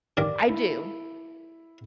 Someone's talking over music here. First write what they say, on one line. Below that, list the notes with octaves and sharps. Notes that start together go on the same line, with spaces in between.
I do.
G2 D#3 A#4 D5 D6
E4